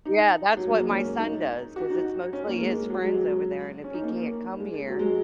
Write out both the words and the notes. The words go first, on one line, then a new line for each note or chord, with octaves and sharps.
Yeah, that's what my son does, ‘cause it's mostly his friends over there and if he can't come here,
D#4
F#3
G#3
A#3
C#4
D#4
F#4
D#4
C#4
A#3
G#3
F#3
G#3
F#3
C#4
D#4
A#3
G#3
F#3
G#3